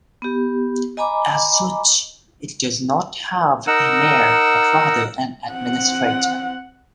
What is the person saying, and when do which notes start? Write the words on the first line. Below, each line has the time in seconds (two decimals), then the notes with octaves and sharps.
As such, it does not have a mayor but rather an administrator.
0.22 B3 G4
0.97 D#5 G#5 A#5 B5 D6
3.67 D#4 A#4 F#5 E6
5.53 C4 F#5